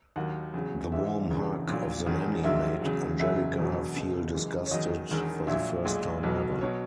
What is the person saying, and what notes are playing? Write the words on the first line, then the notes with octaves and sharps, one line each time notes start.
The warm hug of the nanny made Angelika feel disgusted for the first time ever.
D#2 D#3 F#3 F#5
E2 C#3 F#3
A#1 G#2 E3 E5
E1 E2 C#3 E3
A#1 A#2 F#3
E1 E2 D#3 G#3
A#1 G#2 D#3 F#3 E5
E2 C#3 F#3
F#1 E2 C#3 F#3 E5
E1 E2 B2 F#3
C#2 B2 G#3
F#1 F#2 E3 G#3
C#5
E2 D#3 F#3 D#5
E1 E2 D#3 G#3
A#1 A#2 F#3 E5
B1 A#2 G#3
B1 B2 F#3
B2 F#3 C#5